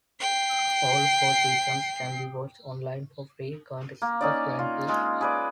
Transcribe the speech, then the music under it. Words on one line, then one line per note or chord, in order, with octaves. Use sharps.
All four seasons can be watched online for free, courtesy of Brainpool.
G5 C7
A#3
C#4 D#4 D5
F4
G#3
G#4 B4 D5